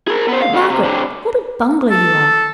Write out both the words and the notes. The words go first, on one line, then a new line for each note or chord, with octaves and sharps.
But, Margaret, what a bungler you are!
G#4 A#4
B3 C5
F5
C4 A4
C3
C3 D4
A4